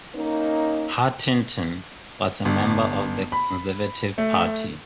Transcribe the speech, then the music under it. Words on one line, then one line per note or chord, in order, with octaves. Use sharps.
Hartington was a member of the Conservative Party.
A#3 C#4 D#4
G1
B5
A3